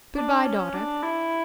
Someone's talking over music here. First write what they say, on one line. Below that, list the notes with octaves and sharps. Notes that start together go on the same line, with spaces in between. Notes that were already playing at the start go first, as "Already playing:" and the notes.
Good-bye, daughter.
D4
C#4
D4
E4